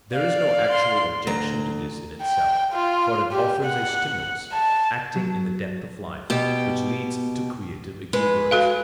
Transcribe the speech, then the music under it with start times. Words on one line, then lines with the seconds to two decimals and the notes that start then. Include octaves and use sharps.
There is no actual objection to this in itself, for it offers a stimulus, acting in the depth of life, which leads to creative exuberance.
0.12 D5 F5
0.70 C6
1.27 D2 A#5
2.22 G5
2.73 F4
3.32 G4
3.65 F#5
4.53 A5
5.16 F#3
6.30 B2 G4
8.13 G#3 B4
8.51 F#4 A4 F5